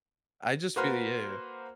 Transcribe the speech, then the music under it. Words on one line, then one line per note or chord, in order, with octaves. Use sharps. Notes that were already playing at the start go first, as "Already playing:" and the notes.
I just feel yeah.
A#3 F#4 B4 C5 C6 F6